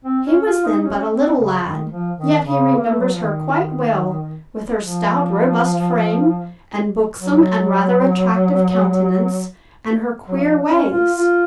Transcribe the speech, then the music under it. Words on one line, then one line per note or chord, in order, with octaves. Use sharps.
He was then but a little lad, yet he remembers her quite well, with her stout, robust frame, and buxom and rather attractive countenance, and her queer ways.
C4
C#4
F4
D#4
D#4
C#4
C4
C#3
D#3
F3
D#3
C#3
A#3
A3
F#3
F3
D#3
F3
F#3
F#3
F3
C#4
F4
F4